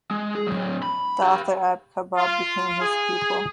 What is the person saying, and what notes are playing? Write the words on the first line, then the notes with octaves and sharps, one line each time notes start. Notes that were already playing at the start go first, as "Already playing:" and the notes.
The author Abe Kobo became his pupil.
G#3
G#4
A2 F#3
B5
G4 F5
F4
G#4